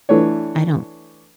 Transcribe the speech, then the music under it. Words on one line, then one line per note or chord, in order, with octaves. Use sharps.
I don't
E3 A3 D4 C#5